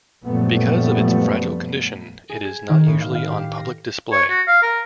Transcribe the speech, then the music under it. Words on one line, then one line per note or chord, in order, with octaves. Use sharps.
Because of its fragile condition, it is not usually on public display.
F#2 A#2 F3 G3 A3 B3
G#4
G#6
D#3
A2
F5
F5
G4
C7
A#6
C#5
F#4
F5
A#4